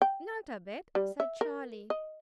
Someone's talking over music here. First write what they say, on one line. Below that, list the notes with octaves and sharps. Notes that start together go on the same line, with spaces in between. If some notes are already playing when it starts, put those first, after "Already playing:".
"Not a bit," said Charlie.
G5
G3
E5
A#4
D#5